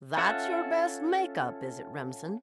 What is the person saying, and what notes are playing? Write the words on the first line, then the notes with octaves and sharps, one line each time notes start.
"That's your best make-up, is it, Remsen?"
C#4 F4 A4 E5 F#5